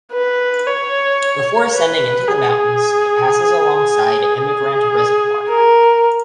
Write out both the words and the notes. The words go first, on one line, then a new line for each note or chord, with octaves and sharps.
Before ascending into the mountains, it passes alongside Emigrant Reservoir.
B4
C#5
B4
G#4
G#4
A#4